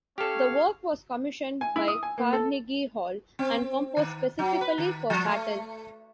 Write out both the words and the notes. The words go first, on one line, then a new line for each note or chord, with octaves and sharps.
The work was commissioned by Carnegie Hall and composed specifically for Battle.
C#4 G4 A4 C#5 F5
G#5
E4
D#6
G#5
A#3
A4
C4
D#3
F#3
B4
D#3
F3
A3